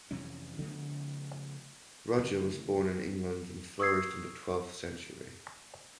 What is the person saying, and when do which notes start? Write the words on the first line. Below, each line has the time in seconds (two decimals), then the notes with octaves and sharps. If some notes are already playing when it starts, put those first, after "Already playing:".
Roger was born in England and flourished in the twelfth century.
0.11 F2 C3 E3 C#4
0.58 C#3 F3 A3 B3
2.18 D2 C#3 E3
3.79 C#6 D#6 E6 G#6 C7